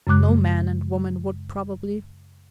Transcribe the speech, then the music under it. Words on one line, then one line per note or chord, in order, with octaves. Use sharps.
No man and woman, would, probably.
F#2 C#3 G#3 D6 F#6